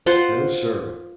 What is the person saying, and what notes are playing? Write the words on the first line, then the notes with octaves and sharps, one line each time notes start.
No, sir!
F4 C5 F#5 C6